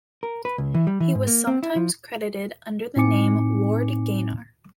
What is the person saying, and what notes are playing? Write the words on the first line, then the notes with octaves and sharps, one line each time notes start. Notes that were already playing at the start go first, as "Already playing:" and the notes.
He was sometimes credited under the name Ward Gaynor.
A#4
B4
C#2
E3
G3
E3
G#2
A#3
C4
E4
F3
A2 C4 D#4 G#5 D6 C#7